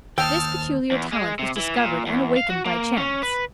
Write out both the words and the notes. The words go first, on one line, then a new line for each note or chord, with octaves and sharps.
This peculiar talent was discovered and awakened by chance.
D#2 D#4 C5 G5 A5 E6 F6
E2
G#3
C3
E3
A#2
E2
F5
F#4
A#3
C#4
B4